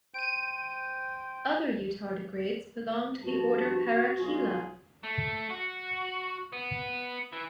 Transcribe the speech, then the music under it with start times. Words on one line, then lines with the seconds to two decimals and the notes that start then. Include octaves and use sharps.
Other eutardigrades belong to the order Parachaela.
0.14 C5 G5 D7 D#7
3.24 G2 F3 F#4 A5
4.19 B1 F4 G#4
5.03 A3
5.50 F#4
6.53 B3
7.32 E3